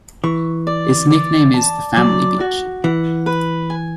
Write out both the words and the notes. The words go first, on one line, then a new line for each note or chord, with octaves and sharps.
Its nickname is "The Family Beach".
E3 C#6
D5
D5
A5
F#3 D5
F#4
E3 F#5
B4
G#5